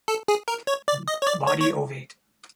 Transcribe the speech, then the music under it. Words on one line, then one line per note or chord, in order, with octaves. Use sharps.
Body ovate.
A4
G#4
A#4
C#5
D5
D#5
C#5
D5
C#5
C#5